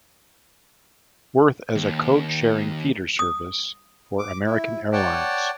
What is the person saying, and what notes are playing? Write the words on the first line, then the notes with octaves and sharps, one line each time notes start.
Worth as a code sharing feeder service for American Airlines.
D#2
D#6
D6
E4
C#5 D5 F#5 G5 A5